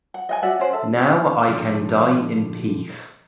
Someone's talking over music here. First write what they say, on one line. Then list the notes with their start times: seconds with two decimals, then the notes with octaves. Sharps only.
Now I can die in peace.
0.14 F#5
0.29 D#5 F#5 G#5
0.42 F#4 D5 E5 F#5
0.59 C#4 C5 F#5
0.73 A4 E5
1.48 A#2 D3 F3